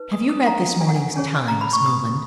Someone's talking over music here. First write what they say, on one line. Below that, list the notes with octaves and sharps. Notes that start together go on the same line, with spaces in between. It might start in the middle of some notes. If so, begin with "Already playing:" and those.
"Have you read this morning's Times, Newland?"
Already playing: D#4 B4
D#6
D#6
A#5
G#5
F#5
G#5
C#4 G#4 C#5 G#5
G#5
A#5
B5
C#6
D#6